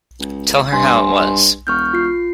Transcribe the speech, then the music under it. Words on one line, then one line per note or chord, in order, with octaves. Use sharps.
Tell her how it was.
C#2
G2 G#5 C6
E1 C#6 F6 G6
F4 C7